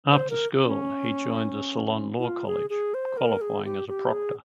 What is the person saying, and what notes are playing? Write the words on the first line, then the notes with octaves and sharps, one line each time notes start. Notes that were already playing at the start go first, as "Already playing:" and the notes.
After school he joined the Ceylon Law College, qualifying as a proctor.
C5
A#4
C#4
E4
F4
G#4
G#4
C5
A#4
G#4
G4
G4
G#4